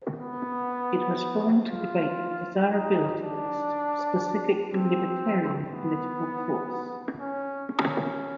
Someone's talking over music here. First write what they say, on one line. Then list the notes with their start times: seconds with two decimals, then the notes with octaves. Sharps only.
It was formed to debate the desirability of a specifically libertarian political force.
0.18 B3
1.69 F4
2.69 D#4
3.19 D4
4.70 C4
5.69 B3
7.20 C#4
7.71 C#4